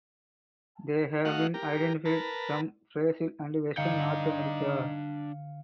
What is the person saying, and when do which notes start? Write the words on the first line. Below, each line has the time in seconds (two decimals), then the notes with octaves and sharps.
They have been identified from Brazil and western North America.
1.25 A3 F#4 D#5 F5 F#5
1.54 G4 A#4
2.05 A#4 B4 A5
3.77 D3 D4 D#4 F5 G5 C#7